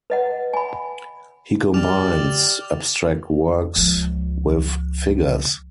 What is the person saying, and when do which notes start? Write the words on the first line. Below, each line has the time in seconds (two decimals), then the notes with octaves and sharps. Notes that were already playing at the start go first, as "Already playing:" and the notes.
He combines abstract works with figures.
0.10 B4 D#5 F#5
0.53 G#5 B5
1.74 G4 D5 D6 F6 F7
3.76 C#2 F3